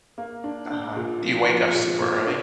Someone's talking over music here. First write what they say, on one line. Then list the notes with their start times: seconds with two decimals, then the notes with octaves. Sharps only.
Uh-huh. Do you wake up super early?
0.18 A#3
0.44 D4
0.70 D4
0.97 A#2
1.22 F3
1.48 F3
1.75 A#2
2.00 A#2
2.26 D4